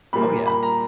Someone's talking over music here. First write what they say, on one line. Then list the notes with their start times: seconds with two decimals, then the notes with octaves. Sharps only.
Oh, yeah.
0.13 A#2 G3 A#3 B5
0.47 B5
0.63 A#5